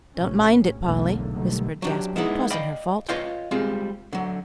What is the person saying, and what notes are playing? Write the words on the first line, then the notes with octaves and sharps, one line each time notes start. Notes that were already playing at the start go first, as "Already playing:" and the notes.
"Don't mind it, Polly," whispered Jasper; "twasn't her fault."
A#1 A2 C3 C#4
B1 E2 D3 A3 A#3
B2 D3 D#3 F#3 G3 A3
F#3 D4 G4
G#3 B3 D#4 E4
D5 D#5 F5 G5 B5
F4 B4 C#5 D#5 F5 G5
G3 G#3 C4 F4
D3 F#3